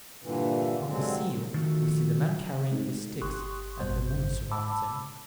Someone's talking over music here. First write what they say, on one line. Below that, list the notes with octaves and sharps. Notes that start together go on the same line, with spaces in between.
On the seal we see the man carrying his sticks, and the moon surrounds him.
G2 A#2 D3 E3
G2 D3 F#3 G#3 C4
D#3 F3 A3 F#4
G#3 A3 C4 D#4
G1 G4 C6 C#6 D#6 F#6
G#1 F#2 G3 C5 G6
A5 B5 D6 E6